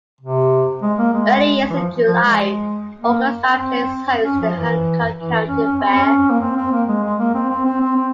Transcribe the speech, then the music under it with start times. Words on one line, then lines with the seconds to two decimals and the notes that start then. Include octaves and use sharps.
Every year in July, Augusta plays host to the Hancock County Fair.
0.21 C3
0.82 G#3
0.98 A#3
1.13 G#3
1.70 E3
1.76 F3
2.07 F3
2.23 G#3
3.00 A#3
3.46 C4
4.24 C#4
4.40 F3
4.55 E3
5.16 E3
5.48 C#4
5.63 C#4
5.79 C4
5.95 C#4
6.30 A#3
6.41 C4
6.56 C4
6.72 A#3
6.88 G#3
7.03 G#3
7.19 A#3
7.34 C4
7.50 C4
7.65 C4
7.81 C4
7.96 C4